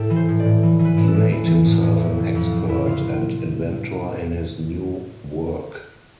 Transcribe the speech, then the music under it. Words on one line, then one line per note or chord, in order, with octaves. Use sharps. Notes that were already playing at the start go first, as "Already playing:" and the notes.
He made himself an expert and inventor in his new work.
Already playing: A2 G4 A4
E3
C5
A2
D5
A2
E3
E3
B4
A2
A4
A2
E3
E3
A2
A2
F2
C3
F2
F3
F2 E4
C3 F4